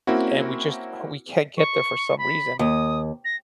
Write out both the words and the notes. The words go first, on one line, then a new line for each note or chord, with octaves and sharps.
and we just hu we can't get there for some reason.
A#3 C4 C#4 E4 F#4
C#6
B5
D#2 D#6
A#6